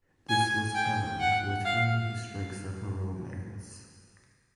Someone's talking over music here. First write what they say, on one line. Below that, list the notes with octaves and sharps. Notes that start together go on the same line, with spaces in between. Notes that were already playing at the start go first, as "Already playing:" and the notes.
This was Helen, with whom he strikes up a romance.
G#5
G5
F#5
F5